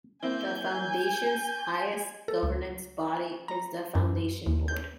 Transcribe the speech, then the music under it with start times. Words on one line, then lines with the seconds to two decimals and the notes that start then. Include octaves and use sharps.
The foundation's highest governance body is the foundation board.
0.22 A#3 C4 E4 G#5 G6
2.28 A4
2.43 C#2
3.48 A#5
3.95 F#2
4.46 D#2
4.68 G6